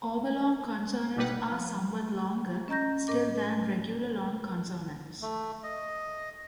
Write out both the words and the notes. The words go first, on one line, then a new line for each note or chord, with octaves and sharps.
Overlong consonants are somewhat longer still than regular long consonants.
G#1 B2 G3 D#4 B4 F#5
F3
C#4 D#5 A#5 G6 A#6
A2 A#4 D#5 D6
A3
D#5